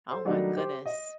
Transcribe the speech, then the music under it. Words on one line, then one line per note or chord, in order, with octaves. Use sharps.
Oh my goodness.
A4 C5
D#3 F#3 G3 A3 D4 D#4
G4 C5
D#5